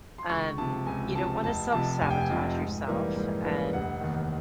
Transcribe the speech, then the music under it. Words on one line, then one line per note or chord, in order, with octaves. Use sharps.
um, you don't wanna self-sabotage yourself, and
C6
C#2 C#6
C3 F3 A5
C#2 G#5
C3 F3 A5
F1 A5
F2 C3 F3 A5
F1 G#5
G5
G#5
F2 C3 F3
G#2
E3 G3 A#3
G#2
E3 G3 A#3
F1 F#5
D#2 D#3